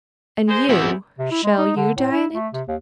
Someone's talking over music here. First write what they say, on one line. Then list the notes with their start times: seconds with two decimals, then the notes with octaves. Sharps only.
"And you--shall you die in it?"
0.48 G#3 C5
0.69 E2 C4 E4 F#4
1.18 C3
1.31 E4
1.44 G#3
1.58 D#4
1.76 D3
1.97 A2
2.11 E4
2.33 A3
2.53 C3
2.68 D#2